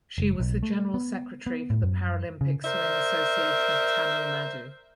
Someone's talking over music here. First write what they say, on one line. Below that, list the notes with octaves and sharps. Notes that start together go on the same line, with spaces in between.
She was the General Secretary for the Paralympic Swimming Association of Tamil Nadu.
F#1
B1
A3
B3
B3
A2
F#2
C#3
A#4 C5 D5 E5